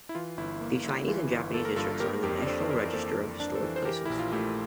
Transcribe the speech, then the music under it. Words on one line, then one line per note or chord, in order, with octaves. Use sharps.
The Chinese and Japanese districts are in the National Register of Historic Places.
E4
E3 F4
G1 E4
A#3
G2 E4
E3 F4
G1
A#3 A4
A#4
G2 F4 A4
A#3 G4 A#4
F2 G4 A#4
D5
D4 A4 C5
E3 A#4 D5
A#4
A#3 A4 C5
F2
D4
A4 C5
E3
C5
E3 G4 A#4
A#1 E4
F4
A3 E4 G4